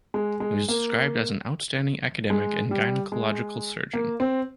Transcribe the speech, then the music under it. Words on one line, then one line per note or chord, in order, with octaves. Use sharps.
He was described as an outstanding academic and gynaecological surgeon.
G#3
G#3
A#3
G#3
G3
G#3
A#3
C4